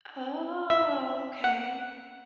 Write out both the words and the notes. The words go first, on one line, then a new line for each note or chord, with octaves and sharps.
Oh, okay.
E5
F#5